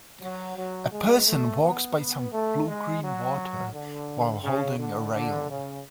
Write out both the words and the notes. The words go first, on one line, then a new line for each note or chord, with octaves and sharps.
A person walks by some bluegreen water while holding a rail.
F#3
F#3
G#3
A3
B3
B3
A3
G#3
F#3
D3
C#3
D3
D3
C#3